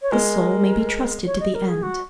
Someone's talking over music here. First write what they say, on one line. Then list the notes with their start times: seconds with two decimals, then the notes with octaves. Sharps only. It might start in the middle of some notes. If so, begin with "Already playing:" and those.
The soul may be trusted to the end.
0.02 C#5
0.12 G#3 A#4
1.26 C#5
1.40 D#5
1.55 A#4
1.69 G#4
1.83 F#4